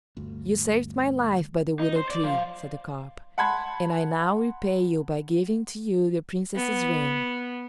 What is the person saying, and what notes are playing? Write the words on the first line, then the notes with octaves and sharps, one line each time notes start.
"You saved my life by the willow-tree," said the carp, "and I now repay you by giving to you the Princess's ring."
G1 D2
D#4
C5
D5
F3
F#5 A5 B5 C6 G#6
B3